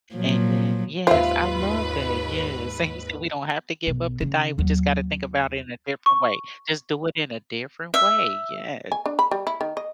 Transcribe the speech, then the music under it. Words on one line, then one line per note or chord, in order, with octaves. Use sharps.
and then yes, I love that. Yes, and you said we don't have to give up the diet, we just gotta think about it in a different way. Just do it in a different way. Yes,
A#2 F3 F#3
D#2 G#2 F4 B4 C5 E5
B1
C#3
D#2 F#3
C#6
E5
G#5
D4
B5
G3
E4
D#3
D#5